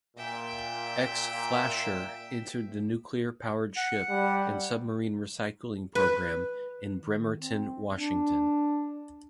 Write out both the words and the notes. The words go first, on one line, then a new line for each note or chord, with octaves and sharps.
Ex-"Flasher" entered the Nuclear Powered Ship and Submarine Recycling Program in Bremerton, Washington.
A#2 E5 G5
F#5
G3
B4
D#3
C4
D4